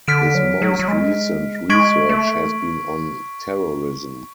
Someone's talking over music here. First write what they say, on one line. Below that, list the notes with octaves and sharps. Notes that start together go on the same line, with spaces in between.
His most recent research has been on terrorism.
D3 F6 B6 D7
F#3
F#3
F#3
G#3
G#3 C#6 G#6 B6 D7 F#7
A3